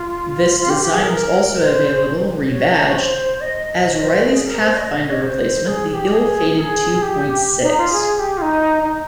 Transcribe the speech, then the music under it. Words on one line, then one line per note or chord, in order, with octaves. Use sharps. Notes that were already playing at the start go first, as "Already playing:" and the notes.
This design was also available, rebadged, as Riley's Pathfinder replacement, the ill-fated Two-Point-Six.
Already playing: F4
F4
G4
G4
G#4
A#4
A#4
C5
C#5
C5
D#5
D#5
C5
G#4
A#4
C5
D#5
D#5
D#5
C#5
C5
G#4
G#4
G4
G#4
A#4
G#4
G4
D#4
F4
G#4
G#4
G4
F4
D#4
D#4